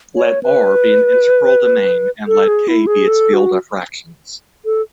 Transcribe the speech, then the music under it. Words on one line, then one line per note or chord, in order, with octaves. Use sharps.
Let "R" be an integral domain, and let "K" be its field of fractions.
C#5
B4
A4
G#4
E4
G#4
A4
F#4
A4